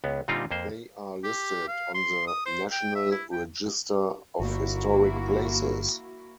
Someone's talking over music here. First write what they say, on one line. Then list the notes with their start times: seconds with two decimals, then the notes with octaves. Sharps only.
They are listed on the National Register of Historic Places.
0.04 C#2 B3
0.28 A#2 D3 G3 C4 D#4 F4
0.51 F2 A#3 C5
1.24 G4
1.68 F5
1.94 C6
2.27 D#6
2.46 C5
2.71 G5
2.95 E5
3.11 E4
3.32 G5
4.40 G1 A#3 E4 F#4